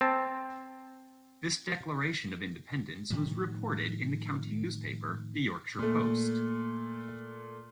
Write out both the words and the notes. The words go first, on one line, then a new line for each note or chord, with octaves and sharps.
This declaration of independence was reported in the county newspaper, the "Yorkshire Post".
C4 A5
A2 D#3 F3 G3
A#2 A3